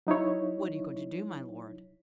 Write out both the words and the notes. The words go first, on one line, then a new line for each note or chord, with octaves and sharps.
"What are you going to do, my lord?"
F#3 D#4 E4 C#5